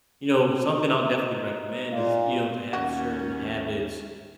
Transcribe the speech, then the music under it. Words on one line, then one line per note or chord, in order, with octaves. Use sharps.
you know, something I'll definitely recommend is, you know, to have certain habits,
D#4
A#2 F4
D#2 C#4 F#4